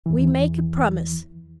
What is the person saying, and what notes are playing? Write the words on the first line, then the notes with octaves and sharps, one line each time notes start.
We make a promise.
E2 E3